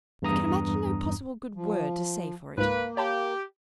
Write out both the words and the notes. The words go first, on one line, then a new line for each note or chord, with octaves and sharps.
I can imagine no possible good word to say for it.
E2 G2 A#5 D#6
F3
C#2 G#2 A#3 B4
G4 C#5 A5 B5